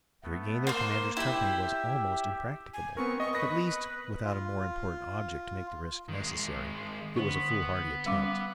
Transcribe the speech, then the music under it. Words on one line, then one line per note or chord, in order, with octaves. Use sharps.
To regain their commander's company was almost impracticable; at least, without a more important object to make the risk necessary, it was a foolhardy attempt.
A3 B3
A#3 C5 C6
E4 G4 E5 G5
G#5
B3 C4 A#4 C#6
D#5 C#6
B4 D#6 A#6
F4
D#3 G#3
D3 B3 D4 C#6
G3 C#4 D6